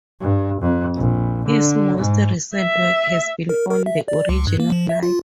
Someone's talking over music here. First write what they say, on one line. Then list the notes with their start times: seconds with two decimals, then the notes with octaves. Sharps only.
His most recent work has been on the origin of life.
0.20 G2
0.61 F2
0.97 A#1
1.46 D3
1.97 G#2
2.56 E5
3.49 A#4
3.71 A#4
3.86 E5
4.08 D5
4.29 C#2
4.47 G2
4.60 A#3
4.72 F3
4.89 E5
5.03 F4